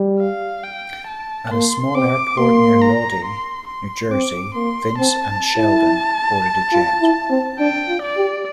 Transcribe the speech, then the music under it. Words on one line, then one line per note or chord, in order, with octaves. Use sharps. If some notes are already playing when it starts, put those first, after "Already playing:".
At a small airport near Lodi, New Jersey, Vince and Sheldon board a jet.
Already playing: G3
F5
G5
A5
A#3 C6
C4 D6
A#3 C6
A#5
C6
C6
C4 D6
A#3 C6
C4 A5
E4
F4
E4
C4
D4 G5
F4
D5
G4